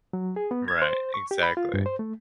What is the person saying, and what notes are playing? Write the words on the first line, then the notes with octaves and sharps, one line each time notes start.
Right, exactly.
F#3
G#4
B3
G#6
C5
C#6
G4
B5
F4
G2
C5
A3